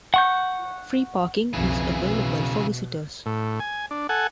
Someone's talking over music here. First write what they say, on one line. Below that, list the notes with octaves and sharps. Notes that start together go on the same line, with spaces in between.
Free parking is available for visitors.
F#5 C#6 G6
B1 F2 C#3 E3
B2
A2
G#5
D4
A4 F#5 G#5